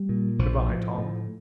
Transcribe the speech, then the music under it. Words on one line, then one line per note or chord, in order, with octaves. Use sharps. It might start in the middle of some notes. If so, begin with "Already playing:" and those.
Good-by, Tom.
Already playing: G3
A#2
A#1 F3
A2
A2